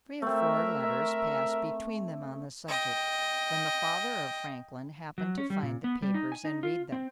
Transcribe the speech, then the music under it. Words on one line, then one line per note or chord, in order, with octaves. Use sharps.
Three or four letters passed between them on the subject, when the father of Franklin happened to find the papers, and read them.
A3 C4 A#4 E5
D#5 G5
F#3
C#4
G3
A#2
B3
G3
D#4
G#5
D#4
F4
C4